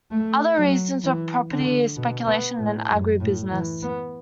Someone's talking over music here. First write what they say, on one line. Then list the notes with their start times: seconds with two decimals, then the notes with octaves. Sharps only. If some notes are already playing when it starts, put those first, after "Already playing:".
Other reasons were property speculation and agribusiness.
0.11 A3
0.57 F#3
1.04 E3
1.51 D3
1.97 B2
2.27 B3
2.58 A2
2.89 F#2
3.20 A2
3.51 E3
3.82 B3